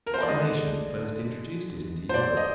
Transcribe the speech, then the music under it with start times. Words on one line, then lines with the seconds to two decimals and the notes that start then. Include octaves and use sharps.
What nation first introduced it into Europe?
0.06 A#4
0.14 C5
0.22 D5
0.28 D3 G#3 D4 D#5
2.09 C5
2.14 D5
2.37 D#5